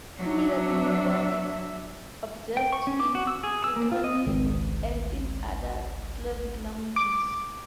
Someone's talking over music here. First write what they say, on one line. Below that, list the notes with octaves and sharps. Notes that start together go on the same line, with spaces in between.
Similar behavior is observed in Ukrainian, and in other Slavic languages.
F#3 D4 E5
G5
C#6
C#4
D6
F#4
E6
G#4
E6
A#3
F4
D#5
G#1 C#2
D6